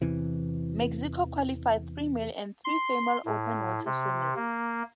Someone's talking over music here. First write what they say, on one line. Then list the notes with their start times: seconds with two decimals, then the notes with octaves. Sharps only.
Mexico qualified three male and three female open water swimmers.
0.02 E2 C3 E3
2.64 C6
3.26 A2
3.85 C3
4.36 A#3